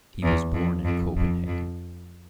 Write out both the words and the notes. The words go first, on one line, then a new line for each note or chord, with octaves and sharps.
He was born in Copenhagen.
E2
F2
F2
F2
F2